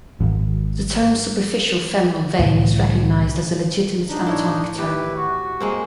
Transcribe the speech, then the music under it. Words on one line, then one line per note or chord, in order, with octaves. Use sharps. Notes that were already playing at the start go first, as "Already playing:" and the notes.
The term "superficial femoral vein" is recognized as a legitimate anatomic term.
G#1
C2 A2 D3 E3
D4 D#4
A2 E4 C#5
E4 G4 B4
F#4
G#3 A#3 C4